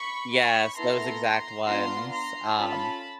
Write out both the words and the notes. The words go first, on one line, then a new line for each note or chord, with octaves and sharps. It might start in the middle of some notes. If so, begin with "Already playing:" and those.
Yes, those exact ones, um
Already playing: B5 C#6
B5 C#6
B3 E4 A4 A#5 C6
B3 D4 F4 A#5 C6
A#5 C6
C#4 F4 A4 A5 B5